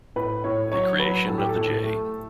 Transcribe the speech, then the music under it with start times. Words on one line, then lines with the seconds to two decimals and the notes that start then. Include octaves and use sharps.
The creation of the J.
0.16 A2 B4
0.44 A2 C#5
0.72 F#3 C#5
0.99 F#3 B4
1.28 A2 A4
1.38 G4
1.49 A4
1.57 A2
1.83 A3